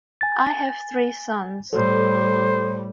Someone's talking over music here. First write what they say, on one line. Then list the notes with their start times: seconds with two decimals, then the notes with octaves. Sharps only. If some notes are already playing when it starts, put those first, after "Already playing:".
I have three sons.
0.21 G#5 A6
1.73 A2 G3 A4 C5